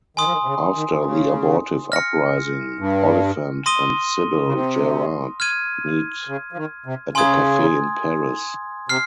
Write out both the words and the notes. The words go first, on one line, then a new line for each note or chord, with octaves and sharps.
After the abortive uprising, Oliphant and Sybil Gerard meet at a cafe in Paris.
D#3 G#5 C6 D#6
F3
D#3
C3
C#3
D#3
D#3
C#3
F6 A#6 C#7
G2
C6 D#6 A#6 D#7 G7
C#3
C3
F6 G#6 D#7
C#3
F3
D#3
C3
C#3 G#5 C6 D#6 G#6
C3 F6 C7